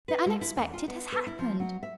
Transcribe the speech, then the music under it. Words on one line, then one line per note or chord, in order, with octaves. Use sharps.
"The unexpected has happened!"
B4
G#3
E4
E2
F4
B3
B4
E4
F3
F#3
E5